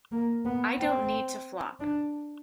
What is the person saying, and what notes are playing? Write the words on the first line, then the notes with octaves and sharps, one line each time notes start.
I don't need to flop.
A#3
B3
C4
D4